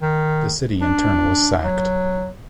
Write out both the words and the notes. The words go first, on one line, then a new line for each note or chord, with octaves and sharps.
The city in turn was sacked.
D#3
D4
F#3